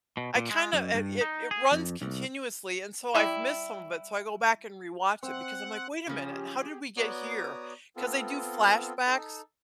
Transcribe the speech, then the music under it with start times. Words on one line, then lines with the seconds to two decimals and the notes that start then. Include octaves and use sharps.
I kinda a it it runs continuously and so I've missed some of it, so I go back and rewatch it because I'm like, "Wait a minute. How did we get here?" 'Cause they do flashbacks
0.17 B2
0.35 A#2
0.50 G#3
0.73 F#2
0.94 G2
1.21 D#4
1.51 G#4
1.72 F2
2.02 C2
3.15 G3 E4
5.23 C4 F#5
6.07 C#3 F3 C#4 G4 G#4
6.97 B3 F#4 C#5 D5 A#5 D#6
7.96 B3 C4 F4 A4
9.07 D#4 A4